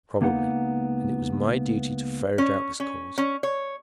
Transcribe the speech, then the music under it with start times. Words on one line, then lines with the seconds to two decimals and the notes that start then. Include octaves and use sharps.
Probably, and it was my duty to ferret out this cause.
0.21 C#2 A#3 B3 D#4 F#5
2.38 C#4
2.80 C#4
3.18 C#4
3.43 C#5